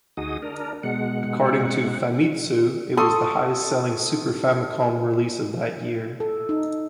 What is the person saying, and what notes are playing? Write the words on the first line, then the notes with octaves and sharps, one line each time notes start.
According to "Famitsu", it was the highest-selling Super Famicom release of that year.
D2 D#4 F#4 G#4 D#6
D4 A#4
B2 G#3 F#5
A4 C6 C#6 D#6
A4
D#4